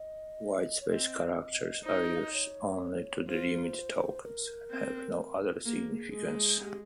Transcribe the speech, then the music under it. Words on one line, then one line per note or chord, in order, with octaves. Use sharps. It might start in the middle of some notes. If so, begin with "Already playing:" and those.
Whitespace characters are used only to delimit tokens, and have no other significance.
Already playing: D#5
C#5
C4 D#5
D#4 C5
C#5
A#4
C5
F5
D#5
C#5
F4 C5
A#4
C4
A#3 G#4
G#3
G4